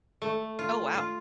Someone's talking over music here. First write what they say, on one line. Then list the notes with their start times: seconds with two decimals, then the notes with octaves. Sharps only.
Oh, wow.
0.22 A3
0.59 F4
0.95 F4